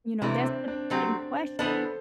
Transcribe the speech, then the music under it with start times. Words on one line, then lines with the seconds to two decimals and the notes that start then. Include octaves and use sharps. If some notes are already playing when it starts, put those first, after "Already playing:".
You know, that's the big question.
0.22 C3 E3 A3 D4 E4
0.44 C4
0.68 D4
0.90 F#3 A3 C4 G4
1.59 E3 B3 D4 A4 C5